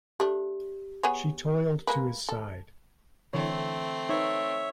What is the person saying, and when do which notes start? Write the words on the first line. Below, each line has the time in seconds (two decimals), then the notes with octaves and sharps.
She toiled to his side.
0.20 A3 D4 G4
1.03 B3 G#4 C#5
1.87 G#3 A#3 B4
2.29 A4
3.33 D3 E3 A3 C4 C#5
4.09 D#4 B4 C#5 E5